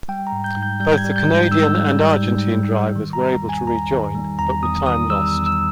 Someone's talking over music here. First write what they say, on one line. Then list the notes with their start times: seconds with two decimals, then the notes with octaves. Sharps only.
Both the Canadian and Argentine drivers were able to rejoin, but with time lost.
0.08 G3 G5
0.27 A#5
0.32 G#2
0.44 G6
0.57 G#2
0.63 G6
0.80 G3 G6
0.98 G#6
1.04 G3
1.16 G6
1.29 G#2
1.34 G6
1.52 G#2 E6
1.76 G3
2.00 G3
2.24 G#2
2.48 G#2
2.71 G3
2.96 D#3
3.13 A#5
3.19 G3
3.43 E2
3.49 G#5
3.67 E2 A#5
3.91 D#3
4.15 G3
4.38 E2 A#5
4.63 E2 D#6
4.86 D#3 D#6
5.10 G3 E6
5.34 E2
5.46 E6